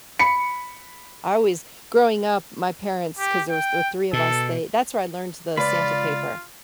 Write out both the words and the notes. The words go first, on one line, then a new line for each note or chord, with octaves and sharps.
I always Growing up, my parents 'cause there was th three of us, they that's where I learned the Santa paper.
B5 C#7
G4
G5
B2 A4
C#2 F4 B4 D5 B5